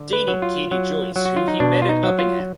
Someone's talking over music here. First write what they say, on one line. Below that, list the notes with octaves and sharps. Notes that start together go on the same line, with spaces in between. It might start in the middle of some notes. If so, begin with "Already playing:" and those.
Dating Katie Joyce who he met at Uppingham.
Already playing: D3
B4
F#3
F4
F#3
F#3
F#4
F4
D#4
B2 D4
F4
D#4
F#3
F4